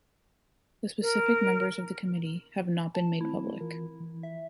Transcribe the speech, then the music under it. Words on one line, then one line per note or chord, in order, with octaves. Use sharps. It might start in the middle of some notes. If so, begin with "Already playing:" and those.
The specific members of the committee have not been made public.
A#4
A5
D#3 A3 C4 E4
E3 F4 A#4
E3
E5